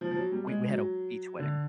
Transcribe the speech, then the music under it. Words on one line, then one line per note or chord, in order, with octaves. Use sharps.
we we had a beach wedding
F3
F3
F#3
G3
G#3
F#3
D3